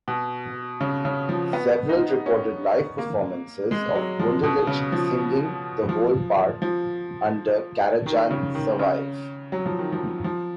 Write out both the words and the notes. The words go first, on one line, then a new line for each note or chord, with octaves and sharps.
Several recorded live performances of Wunderlich singing the whole part, under Karajan, survive.
B2
C#3
C#3
F3
B3
D#4
C#4
A#3
G#3
F#3
F3
B2
C#3
F3
F3
F3
D#3
C#3
D#3
C#3
F#3
F3
D#3
F3
F3